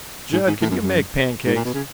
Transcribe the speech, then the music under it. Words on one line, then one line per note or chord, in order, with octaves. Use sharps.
"Jud, can you make pancakes?"
G#2
G#2
A2
F#2
F#2
G#2
A#2
B2
C#3